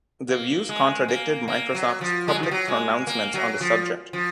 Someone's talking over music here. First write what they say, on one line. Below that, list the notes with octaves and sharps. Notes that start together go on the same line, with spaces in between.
These views contradicted Microsoft's public pronouncements on the subject.
A#3
G#3
A#3
A#3
F#3
F3
G#3
F#3
F3
F#3
G#3
A#3
F#3
F3
F3